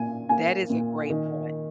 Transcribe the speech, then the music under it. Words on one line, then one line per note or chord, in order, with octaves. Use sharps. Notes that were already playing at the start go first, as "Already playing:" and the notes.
That is a great point.
Already playing: A#2 G#5
A#3 G#5
A#2
D#3